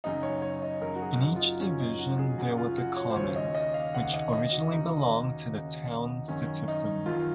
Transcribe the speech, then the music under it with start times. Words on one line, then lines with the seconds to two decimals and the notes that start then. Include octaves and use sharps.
In each division there was a commons, which originally belonged to the town's citizens.
0.04 F#2 C#3 D#4
0.23 C#5
0.42 C#5
0.62 D#5
0.81 F#2 C#3 A#4
0.95 F#4
1.02 G#4
1.20 F#4
1.36 F4
1.40 D#4
1.60 F#2 C#3 C#4
1.80 D#4
1.99 F#4
2.19 G#4
2.38 F#2 C#3 F#4
2.57 F4
2.77 F#4
2.96 C#5
3.10 C5
3.16 D#2 C#3 C#5
3.36 D#5
3.55 D#5
3.74 F5
3.94 D#2 C#3 F#5
4.14 D#5
4.32 D#5
4.52 F#4
4.71 D#2 C#3 D#4
5.50 D#2 C#3
6.28 F#2 D#3 C#4
6.68 D#4
7.06 F#2 D#3 F4